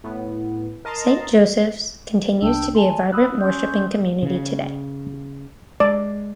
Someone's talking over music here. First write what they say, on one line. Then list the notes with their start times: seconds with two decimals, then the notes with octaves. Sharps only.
Saint Joseph's continues to be a vibrant worshipping community today.
0.04 A2 B3
0.85 A#4 D#5 A5 A#5 C6
2.42 C2 D4 G5 A5 E6
2.75 G#5 A5 C6
3.12 B5 D#6 E6 F#6
3.41 C#4 C6 G6
4.23 C#3
5.80 G#3 D5